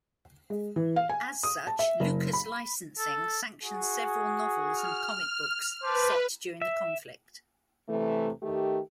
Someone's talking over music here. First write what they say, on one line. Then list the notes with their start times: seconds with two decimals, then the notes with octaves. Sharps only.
As such, Lucas Licensing sanctioned several novels and comic books set during the conflict.
0.50 G#3
0.76 E3
0.96 F5
1.09 G#5
1.43 D#6
1.67 A5
1.79 E5
2.00 F#1
2.33 B5
2.98 A4
3.63 F#4 G#4
4.74 F6
5.82 B4 C5 A5 D6
6.62 E5
7.88 C3 E3 A3
8.42 D#3 A3 G4